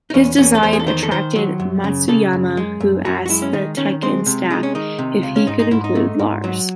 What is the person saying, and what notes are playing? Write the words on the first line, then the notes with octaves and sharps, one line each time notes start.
His design attracted Matsuyama who asked the "Tekken" staff if he could include Lars.
D#4
E2 C#4
E2 C#4
A4
E2 C5
G#4
A4
D#3 C5
A4
D#3 C5
F#3
F#2
C#3
C#3 A4
F#2
G#3
F#2
F#2 F#4
F#4
G#3 E4
C#4
D#3 D#4
D#3 C#4
G#3 C4
C3
G#3 D#4
C#4
D#3 D#4
C3
C#2
C#4
G#2 D#4
D#4
G#2 E4
D#4
A3
G#2
F#3